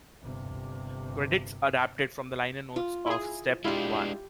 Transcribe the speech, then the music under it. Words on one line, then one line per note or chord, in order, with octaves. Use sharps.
Credits adapted from the liner notes of "Step One".
G1 C3
F4
E4 G#4
G#3 D4 E4 F4 G4 B5